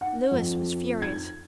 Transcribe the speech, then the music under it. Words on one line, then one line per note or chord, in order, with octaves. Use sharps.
Louis was furious.
F#5
F2
G#6